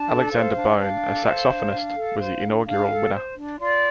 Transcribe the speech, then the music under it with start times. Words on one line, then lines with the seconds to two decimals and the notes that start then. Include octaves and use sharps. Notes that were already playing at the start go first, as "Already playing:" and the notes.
Alexander Bone, a saxophonist, was the inaugural winner.
Already playing: D4 A5
0.08 A4
0.31 C5 F5
0.55 D4
0.78 D4 F5
1.01 A4
1.25 C5
1.48 D4
1.71 D4
1.95 A4
2.18 C5
2.41 D4
2.65 D4 F5
2.88 A4
3.12 C5
3.35 D4
3.59 F4 D5